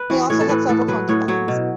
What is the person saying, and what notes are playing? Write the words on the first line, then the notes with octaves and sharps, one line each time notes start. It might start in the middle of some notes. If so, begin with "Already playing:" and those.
He also had several concubines.
Already playing: B4
E3 F#4
A2 C#5
A4
A2 B4
A2 A4
F#3 B4
A2 C#5
F#3 C#5
B2